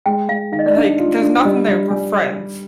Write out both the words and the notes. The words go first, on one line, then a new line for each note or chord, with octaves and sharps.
like, "There's nothing there, we're friends."
G#3 G5
G#3 F5
D#3 F5
D#5
D5
D4 D#5
F4
D4
G3 D#5
G3 F5
G3 G#5